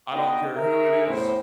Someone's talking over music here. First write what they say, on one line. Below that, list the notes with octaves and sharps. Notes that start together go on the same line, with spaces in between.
I don't care who it is,
B3 D4 D#4 F#4 D#5 G5
G#4 A#4 E5
E2 A2 C5